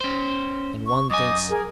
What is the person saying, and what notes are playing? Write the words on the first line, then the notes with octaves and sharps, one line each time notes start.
And one thinks....
C#4 C5
C#6
F#2 D#5 G#5 D6 D#6
G#4 A#4